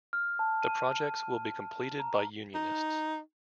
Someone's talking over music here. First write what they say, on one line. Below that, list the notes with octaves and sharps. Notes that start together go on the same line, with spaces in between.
The projects will be completed by unionists.
F6
A5
D#7
A#5
D#4